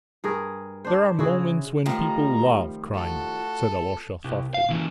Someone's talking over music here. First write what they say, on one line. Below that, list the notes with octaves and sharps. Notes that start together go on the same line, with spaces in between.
"There are moments when people love crime," said Alyosha thoughtfully.
G2 G#4 A#4
D4 C5
C#3 E4 F#4 G#4
D#3 F3 G3 A3 C4 F4 A#5
F#4 A4
C2
F5
A#2 E3